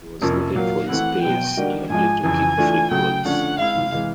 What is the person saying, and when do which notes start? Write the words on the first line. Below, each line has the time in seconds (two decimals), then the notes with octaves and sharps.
He was noted for his pace and ability to kick freak goals.
0.22 F2 C3 F3 A#3 C#4
0.54 A#2 F#3 A#3 F5
0.88 E3 A3 C4 E4 F#5
1.22 B2 F#3 B3 G5
1.57 D3 G3 A#3 D#4 F#4
1.90 G#2 F3 G#3 G#5
2.23 F2 C#3 E3 G#5
2.57 E3 A3 D4 F4
2.91 C#3 F#3 A3 G5
3.25 D3 F3 A3 C#4 F#5
3.58 G#3 C4 E4 F5
3.92 C3 E3 G#3